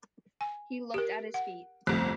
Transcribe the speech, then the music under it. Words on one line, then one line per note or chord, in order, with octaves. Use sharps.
He looked at his feet.
G#5
G4 A#4 D7
F#5
G1 C2 F2 A3